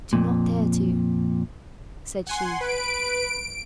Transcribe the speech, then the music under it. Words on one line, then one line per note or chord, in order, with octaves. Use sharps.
"I do not dare to," said she.
F2 A#2
F#5 G#5 C6
B4 D7